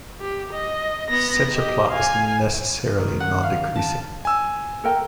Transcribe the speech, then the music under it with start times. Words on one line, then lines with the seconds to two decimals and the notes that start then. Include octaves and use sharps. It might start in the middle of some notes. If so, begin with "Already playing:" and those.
Such a plot is necessarily nondecreasing.
0.21 G4
0.53 D#5
1.09 B3 A#6
1.54 G4 D#5
1.91 F5 G#5
2.98 D#3
3.20 F#5
3.43 F5
3.76 A5
4.25 G#5 E6
4.84 A4 A#4 G5